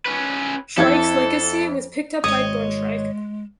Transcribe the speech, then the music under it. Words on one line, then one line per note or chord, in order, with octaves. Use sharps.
Shrike's legacy was picked up by Boone - Shrike.
C#4 B4
F2 E4 A4 G#6
G#1 G#3 C#5 D#5 D#6